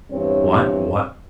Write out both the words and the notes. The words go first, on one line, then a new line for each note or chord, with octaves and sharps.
What, what!
E2 G2 C4 C#5